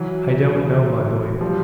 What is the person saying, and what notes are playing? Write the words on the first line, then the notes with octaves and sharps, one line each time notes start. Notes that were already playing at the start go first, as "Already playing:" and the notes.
"I don't know, my boy."
Already playing: E3 F#3
F3 G3